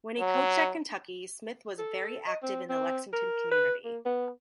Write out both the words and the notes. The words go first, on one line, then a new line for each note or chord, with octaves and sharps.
When he coached at Kentucky, Smith was very active in the Lexington community.
F#3
A4
D#5
C4
C4
A#4
B4
A#3
B3